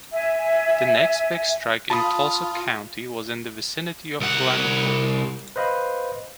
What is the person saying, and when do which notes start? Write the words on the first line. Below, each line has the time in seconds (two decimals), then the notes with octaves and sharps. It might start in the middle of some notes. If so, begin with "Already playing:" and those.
The next big strike in Tulsa County was in the vicinity of Glenn Pool.
0.12 E5 G#5
1.90 F4 A5 B5 D#6
4.21 C2 F#5
5.56 B4 C5 D#5 F5 B5